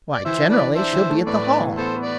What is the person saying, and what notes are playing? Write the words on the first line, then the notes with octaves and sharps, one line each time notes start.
"Why, generally she'll be at the Hall."
D5
E3 C5 E5
D4
B4 D5
E3
D4 C5 E5
E3
A3
A2 B4 D5
B3
E3
B3 A4 C5
B3
B4 D5